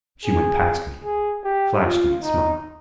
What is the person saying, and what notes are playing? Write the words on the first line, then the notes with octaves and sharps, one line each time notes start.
She went past me, flashed me a smile.
G#4
G#4
G4
F4
D#4